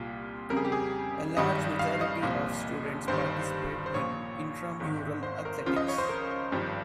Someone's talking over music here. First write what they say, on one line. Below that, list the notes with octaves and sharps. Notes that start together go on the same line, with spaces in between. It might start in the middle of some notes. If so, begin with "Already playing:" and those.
A large majority of students participate in intramural athletics.
Already playing: C2 A#2 G3 F4
F2 C#3 G3 A#4
G#4
G4
G#4
G#1 G2 D#3 G3 D#5
F5
D#5
C2 A#2 F3
G1 G2 D#3 C5
C5
A#1 A#2 F3 C#5
G#1 G#2 D#3
C5
A#4
C#2 C#3 F3 F4
D#5
C#5
C5
A#4
G#1 G2 F3